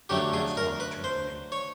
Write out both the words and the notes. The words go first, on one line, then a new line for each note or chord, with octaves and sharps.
When it passed on, he turned to me.
D3 F#3 A3 G4
G#4
A#4
B4
C5
C#5